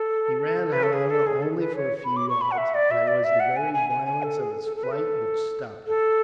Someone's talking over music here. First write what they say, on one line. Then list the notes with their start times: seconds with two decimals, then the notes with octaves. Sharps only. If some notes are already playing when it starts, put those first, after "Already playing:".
He ran, however, only for a few yards, and it was the very violence of his flight which stopped him.
Already playing: A4
0.72 B4
0.83 A4
0.93 G#4
1.10 A4
1.27 G#4
1.42 A4
1.59 B4
1.76 C#5
2.05 B5
2.17 D6
2.29 C#6
2.41 B5
2.51 F#5
2.58 E5
2.74 D5
2.91 E5
3.08 D5
3.24 E5
3.40 F#5
3.56 G#5
3.74 G#5
3.90 G#5
4.06 G#5
4.23 A4
4.40 G#4
4.51 A4
4.64 A4
4.76 A4
4.83 B4
4.92 A4
5.87 A4